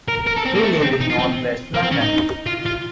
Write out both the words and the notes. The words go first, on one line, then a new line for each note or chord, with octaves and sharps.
He lived in northwest London.
A#4
A#4
A4
C4
A#3
A3
C4
D#4
F4
C4
A#3
C4
C#4
D#4
F4
F4